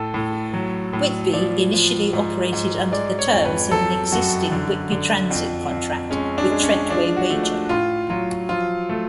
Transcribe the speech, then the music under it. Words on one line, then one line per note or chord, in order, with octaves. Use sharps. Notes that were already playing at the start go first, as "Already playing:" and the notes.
Whitby initially operated under the terms of an existing Whitby Transit contract with Trentway-Wagar.
Already playing: A2 A4
A2
F#3
A2
F3 D5
F3
G#2
G#2
G#3 D5
C#5
F2
B4
F#3 A4
F#2 F#4
D3
D3
F2
F2
G#3 C#4
D4
G#3
C#4
F3 D4
F#4
A3
D4
A2 F4
F#3 F4
F3 F4
A3